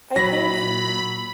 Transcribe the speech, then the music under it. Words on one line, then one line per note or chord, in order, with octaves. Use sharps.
I think,
A#2 F#3 B5 A#6